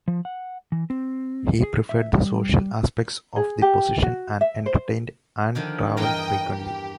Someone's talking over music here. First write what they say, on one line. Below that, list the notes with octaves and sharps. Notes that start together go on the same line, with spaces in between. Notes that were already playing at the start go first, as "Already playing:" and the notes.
He preferred the social aspects of the position and entertained and travelled frequently.
F3
F#5
E3
C4
G#4
E5
G3
G#4
G4
F#4
E5
C5
D3 D#3 F3
E2 G2 A#4 D#5 G5
G4